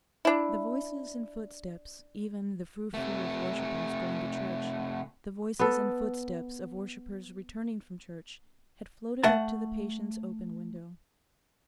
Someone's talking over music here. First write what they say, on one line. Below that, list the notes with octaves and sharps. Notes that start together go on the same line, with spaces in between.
The voices and footsteps, even the frou-frou of worshippers going to church, the voices and footsteps of worshippers returning from church, had floated up to the patient's open window.
D4 E4
C3 A3
B3 A4
A3 F#5 A5